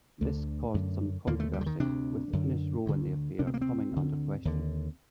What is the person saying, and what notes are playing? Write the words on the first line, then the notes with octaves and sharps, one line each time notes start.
This caused some controversy, with Ines' role in the affair coming under question.
D2 D3 A3
F#2 D3
D#2 D3 A#3
A3
G3
D3
D#3
D2 C3 D4
F#2 D3
D2 D3
D2 C3 D4
C4
A#3
C4
D2 D3
D#2 D3